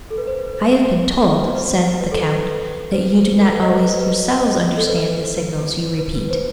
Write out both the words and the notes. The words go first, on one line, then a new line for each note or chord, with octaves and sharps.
"I have been told," said the count, "that you do not always yourselves understand the signals you repeat."
A4
B4
C5
B4
B4
B4
C5
C5
B4
A4
B4
C5
B4
B4
A4
B4
D#5
C5
B4
D#5
C5
C5
C5
D#5
C5
A4
B4
C5
B4
B4
B4
C5